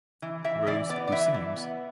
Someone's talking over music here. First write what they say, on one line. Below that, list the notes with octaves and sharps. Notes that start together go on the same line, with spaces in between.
Rose who seems.
E3
E3 E5
E3 D5
B3 D5
D5
E3 E5
E3
B3